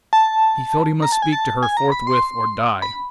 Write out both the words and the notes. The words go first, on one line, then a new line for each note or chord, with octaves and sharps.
He felt he must speak to her forthwith, or die.
A5
A#5
A5
G#5
A5
G#5
A#5
B5
C6
B5